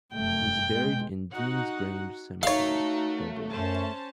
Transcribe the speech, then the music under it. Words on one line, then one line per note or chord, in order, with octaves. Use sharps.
He is buried in Deansgrange Cemetery, Dublin.
F1 F#2 A3 G5
B2 G#3
D#4 F#4 F#5
A3 D#4 F#4 A#4 C#5 F5
F#2 C#4 C5 A5